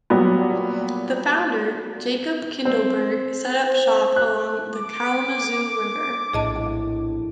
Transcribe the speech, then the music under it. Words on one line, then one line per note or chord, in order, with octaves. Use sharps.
The founder, Jacob Kindleberger set up shop along the Kalamazoo River.
A#2 F#3 G3 B3
C4
C5
F#6
D6
A#1 A2 D4 G#4 D#5 A5